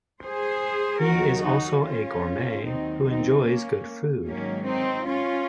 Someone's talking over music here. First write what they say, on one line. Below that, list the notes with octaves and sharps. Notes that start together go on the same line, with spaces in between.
He is also a gourmet who enjoys good food.
G#4 C5
D#2 D#3 F#3 F#4 A#4
D#4 F#4
C#4 F4
D#2 D#3 F#3 C4 D#4
C4 D#4
A#3 C#4
G#2 D#3 F#3 A#3 C#4
C4 D#4
C#4 F4